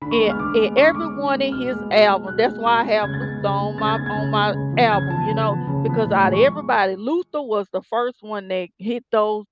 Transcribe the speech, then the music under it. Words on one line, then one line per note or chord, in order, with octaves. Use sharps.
a and everyone in his album that's why I have Luther on my on my album, you know, because out of everybody, Luther was the first one that hit those
D3 B5
C#6
G#3 B3
F6
D3 D6
G#3 B3
D3 C#6
G#3 B3 D6
D3
G#3 B3
B2 F6
G#3 B3
B2
G#3 B3
B2 F#6
G#3 B3
B2
G#3 B3
C#3 G#6
A6
G#3 B3 G#6
C#3
G#3 B3
C#3 A6
G#6
G#3 B3 A6
G#6
C#3
G#3 B3
C#3
F3 B3
C#3 G#6
F3 B3 A5
C#3
F3 B3
C#3
F3 B3
A2
F3 G#3
C#6